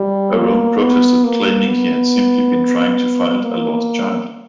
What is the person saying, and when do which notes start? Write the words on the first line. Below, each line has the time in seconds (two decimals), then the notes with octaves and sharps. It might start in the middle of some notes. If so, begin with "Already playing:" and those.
Arone protested, claiming he had simply been trying to find a lost child.
Already playing: G3
0.34 A#3
0.78 B3
1.23 A#3
1.67 B3
3.43 A#3